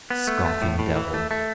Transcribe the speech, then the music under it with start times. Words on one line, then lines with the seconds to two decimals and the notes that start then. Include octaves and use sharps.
Scoffing devil!
0.10 B3
0.27 A3
0.45 A3
0.62 A2
0.79 A2
0.96 E3
1.14 A3
1.31 A3